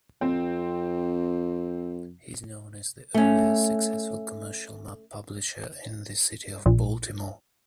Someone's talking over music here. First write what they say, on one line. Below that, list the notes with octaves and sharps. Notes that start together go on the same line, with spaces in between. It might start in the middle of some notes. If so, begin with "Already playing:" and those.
He is known as the earliest successful commercial map-publisher in the city of Baltimore.
F2 C4
A3 C#4
A#1